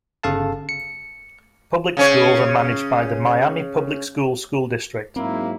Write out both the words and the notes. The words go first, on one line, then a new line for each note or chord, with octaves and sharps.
Public schools are managed by the Miami Public Schools school district.
G1 C#3 A4 F5 A5
C#7
C#3 C#4 C#5
G#2 F#3 A#3 C4 E4